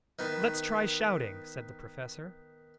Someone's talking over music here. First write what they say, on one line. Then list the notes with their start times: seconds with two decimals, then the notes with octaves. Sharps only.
"Lets try shouting," said the Professor.
0.19 D#3 B3